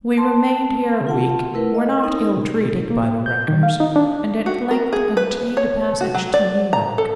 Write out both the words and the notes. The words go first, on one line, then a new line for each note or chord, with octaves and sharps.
We remained here a week, were not ill-treated by the wreckers, and at length obtained a passage to New York.
A5 C6
F4 F#5 A5
A3 E4 A#4 B4
D#5
D#4 A#4
A#3
G6
D#3
F5
D#4
D4
F#4
A#4
G#4
B4
C#5
F#4
F#3
D5
A#5
A4